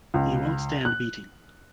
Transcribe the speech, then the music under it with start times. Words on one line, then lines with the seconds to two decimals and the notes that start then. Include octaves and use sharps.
He won’t stand beating.
0.14 C#2
0.85 F#6